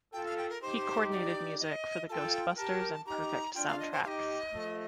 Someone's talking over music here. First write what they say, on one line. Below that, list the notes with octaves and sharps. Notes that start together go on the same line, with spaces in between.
He coordinated music for the "Ghostbusters" and "Perfect" soundtracks.
F4 A4 G5
F5
G5
A#4
D#4 G4 C5
D5
D#5
F4 A4 G5 A5
G4 A#4 A5
D#4 G4 A#5
D4 F4 G5
F5
D#5
C5
D#4 G4 D#5 F5
F3 A3